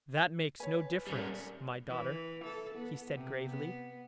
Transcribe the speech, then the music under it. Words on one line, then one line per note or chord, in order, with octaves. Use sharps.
"That makes no difference, my daughter," he said gravely.
B4 C#5 G#5
G3 C#4
A#4 D5
E3
A4
B3
C3
B3